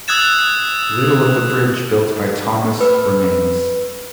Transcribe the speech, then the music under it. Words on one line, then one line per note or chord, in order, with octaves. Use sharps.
Little of the bridge built by Thomson remains.
D#6 E6 F#6 G#6 A6 E7
B4 E6